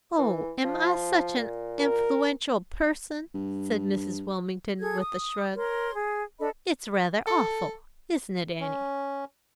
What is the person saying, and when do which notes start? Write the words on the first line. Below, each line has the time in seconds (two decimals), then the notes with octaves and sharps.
"Oh, am I such an influential person?" said Mrs. Wilmington, with a shrug. "It's rather awful--isn't it, Annie?"
0.18 E3
0.64 F3
1.36 A#2
1.80 A#4
3.34 G2
4.79 G#4 A4 G#6
5.01 D#6
5.55 A#4 C#5 C6
5.94 G#4
6.39 D4 A4 D#5 B5
7.27 A4
8.60 C#4